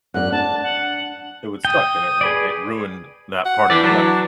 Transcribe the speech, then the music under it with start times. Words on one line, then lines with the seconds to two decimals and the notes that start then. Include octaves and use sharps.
it would suck, and it it it ruined that part of your life
0.14 F#2 D5 F#6
0.32 D4 A5
0.63 F#5
1.65 G5 D#6
2.21 G#4 B4 D5
3.45 F#5
3.70 E3 D4 G4 D5
3.84 F#3 D4